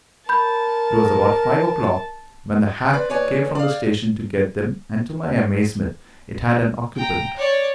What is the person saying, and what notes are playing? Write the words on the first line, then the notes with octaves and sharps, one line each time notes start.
It was about five o'clock when the hack came from the station to get them, and, to my amazement, it had an occupant.
A#4 A5 B5 G6
B4 C5 D5
D#2 B4 C#5 D5 G#5
D5 F5
G5 A#5
C#5 D5